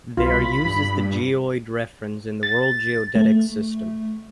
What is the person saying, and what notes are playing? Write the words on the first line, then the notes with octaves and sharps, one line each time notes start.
They are used as the geoid reference in the World Geodetic System.
C2 F4 B5
G2
A6
A3